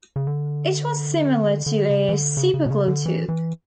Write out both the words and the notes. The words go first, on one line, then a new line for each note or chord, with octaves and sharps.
It was similar to a Superglue tube.
C#3
D3
D3
C#3
E3
D3
C#3
C#3
B2
C#3
D3
E3
E3